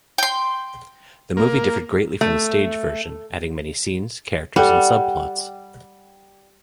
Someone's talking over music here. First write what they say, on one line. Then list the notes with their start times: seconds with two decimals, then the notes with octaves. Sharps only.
The movie differed greatly from the stage version, adding many scenes, characters, and subplots.
0.18 G5 C6
1.37 A#3
2.21 A3
4.56 G3 A4 D5 F#5 G5